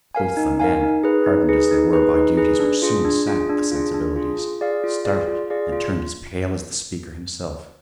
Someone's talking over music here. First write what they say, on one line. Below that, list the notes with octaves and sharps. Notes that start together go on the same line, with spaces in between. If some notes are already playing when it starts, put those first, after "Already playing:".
Both the men, hardened as they were by duties which soon sap the sensibilities, started and turned as pale as the speaker himself.
A#4 F5 G#5
D#4
A#4 F5 G#5
D#4
G#4 B4
D#4
G#4 B4
D#4
G#4 B4
D#4
G#4 B4
D4
F4 G#4
D4
F4 G#4
D4
F4 G#4
D4
F4 G#4
F4
G#4 D5 F5
F4
G#4 D5 F5
F4
G#4 D5 F5
F4